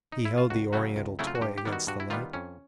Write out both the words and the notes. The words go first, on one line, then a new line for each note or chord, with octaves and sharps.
He held the oriental toy against the light.
D#4
E4
F4
C#2 F#4
C#3 F#3 A3 C4 F#4
C#2
C#3 F#3 A3 C4 E4
F4
F#4
G2 G4
G4
D#3 G3 B3
F#4
G2 F#4
E4
D#3 G3 B3 F4
F2 C#4